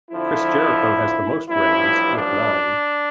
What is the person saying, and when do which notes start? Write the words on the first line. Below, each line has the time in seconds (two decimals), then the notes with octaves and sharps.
Chris Jericho has the most reigns with nine.
0.11 F2 D3 F3 E4
1.48 A1 G2 F3 E4
2.16 D4